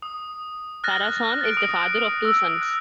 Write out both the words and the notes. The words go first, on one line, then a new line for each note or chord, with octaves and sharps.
Sarasohn is the father of two sons.
D#6
F6 F#6 A6 A#6
A6 D7
D#6
E6
F#6